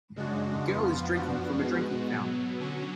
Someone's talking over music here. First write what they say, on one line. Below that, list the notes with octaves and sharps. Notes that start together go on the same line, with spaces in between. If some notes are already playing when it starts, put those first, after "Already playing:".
A girl is drinking from a drinking fountain.
F#2 C#3 G#3 D4 F#4
F2 F3 B3 F4
F#2 F3 B3 D4 F#4
G#2 G#3 B3 F#4
B2 F#3 B3
D3 F#3 C#4 F#4